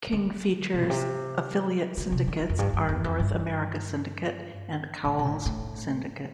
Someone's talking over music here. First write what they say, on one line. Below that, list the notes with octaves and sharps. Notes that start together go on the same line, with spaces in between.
King Features' affiliate syndicates are "North America Syndicate" and "Cowles Syndicate".
D3
C3
A2
C3
D3
C3
D3
F2
G2
G2
F2
F2
G2
A2
C3
A2
A2